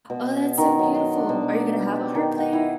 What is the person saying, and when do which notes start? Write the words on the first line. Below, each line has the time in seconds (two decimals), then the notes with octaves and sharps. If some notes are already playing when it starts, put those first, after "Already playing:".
Oh, that's so beautiful. Are you gonna have a harp player?
0.10 B2
0.58 D#3
0.79 F#3
0.95 C6
1.16 D4
1.29 B2
1.53 D5
1.95 G4
2.15 D#3
2.38 F#5
2.53 E4